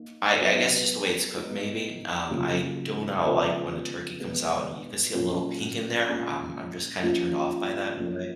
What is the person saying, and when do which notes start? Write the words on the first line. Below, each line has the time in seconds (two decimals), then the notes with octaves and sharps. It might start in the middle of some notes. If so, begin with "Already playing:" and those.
I I guess just the way it's cooked maybe. Um, I do not like when the turkey comes out and you could see a little pink in there. Um, I'm just kinda turned off by that in a way.
Already playing: A#3 D#4
0.41 F#3 B3 F#4 B4
1.36 G#3 B3 D#4 F#4 A#4
2.31 C#3 F#3 A#3 F4
3.25 C#3 F3 G#3 B3
4.20 B2 G#3 B3
5.14 A#2 F#3 C#4
6.09 A#2 G#3 C#4
7.03 F3 A#3 C#4
7.97 F3 A#3 C#4